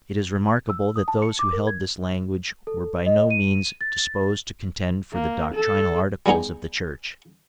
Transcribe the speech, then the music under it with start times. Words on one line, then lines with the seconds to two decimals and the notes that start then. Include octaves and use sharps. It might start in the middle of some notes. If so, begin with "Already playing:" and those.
It is remarkable that those who held this language were by no means disposed to contend for the doctrinal Articles of the Church.
0.70 E6
0.96 D#6
1.08 A5
1.22 C#7
1.39 D6
1.53 A#4
1.67 G#6
2.67 A4
3.06 D#5
3.30 D#7
3.81 A6
5.14 A#3
5.55 A4
6.26 G3 G#3 B3 D#4 G#4